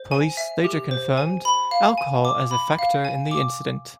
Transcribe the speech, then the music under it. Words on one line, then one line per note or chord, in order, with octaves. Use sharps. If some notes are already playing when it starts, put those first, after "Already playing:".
Police later confirmed alcohol as a factor in the accident.
Already playing: C5
G#5
E5
G4
C5
G#5
B5
F5
G#5
D6
B5
F5
G#5
D6